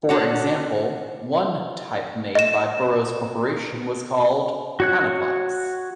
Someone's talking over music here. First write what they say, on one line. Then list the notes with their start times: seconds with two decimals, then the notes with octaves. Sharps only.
For example, one type made by Burroughs Corporation was called "Panaplex".
0.09 D4 F#4 C#5
2.35 D#5 E7
4.80 F#4 C#5 F#6